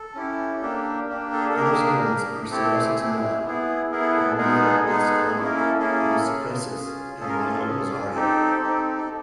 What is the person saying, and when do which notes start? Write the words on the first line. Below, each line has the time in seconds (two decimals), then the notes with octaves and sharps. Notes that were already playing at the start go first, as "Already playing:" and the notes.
Other settlements are Cerro Centinela, Aldea Escolar, Los Cipreses and Lago Rosario.
Already playing: A4
0.15 C#4 E4 G4
0.62 A#3 D4 G4
1.09 A#3 D4 G4
1.33 A4
1.41 G#4
1.49 A4
1.56 A#3 D4 G4 G#4 A#4
2.04 A#3 D4 G4
2.51 A3 C4 E4 G4 A4
2.74 G#4
2.98 A3 C4 E4 G4
3.45 B3 E4 G#4
3.91 B3 E4 G#4 A#4
4.02 A4
4.11 G#4
4.20 A4
4.38 G#3 B3 D#4 G#4 A#4
4.62 A4
4.86 G#3 B3 D#4 G#4 A4
5.32 A#3 C#4 E4 G#4
5.44 A#4
5.56 A4
5.79 A#3 C#4 E4 G#4 A4
6.26 C#4 F4 G#4
6.74 C#4 F4 G#4
7.20 C#4 F4 G#4 A4
7.29 A#4
7.38 A4
7.67 C#4 F4 G#4
8.14 C4 D#4 G4 A4
8.61 C4 D#4 G4
8.98 A4